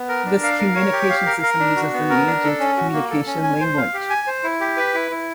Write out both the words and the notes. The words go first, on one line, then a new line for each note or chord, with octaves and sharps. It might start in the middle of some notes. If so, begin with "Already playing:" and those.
This communication system uses an agent communication language.
Already playing: B3
A#4
D4
F5
A#4
C#5
G4
F5
A#4
A#4
D4
F#4
B3
A#4
D4
A4
C#4
F#4
A#3
A4
C#4
G#5
C5
F5
G4
G#5
C5
E4
G4
B4
E4
E4